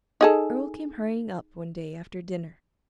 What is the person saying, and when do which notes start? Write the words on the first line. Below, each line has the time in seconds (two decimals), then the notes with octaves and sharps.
Earle came hurrying up one day after dinner.
0.21 D#4 G#4 A4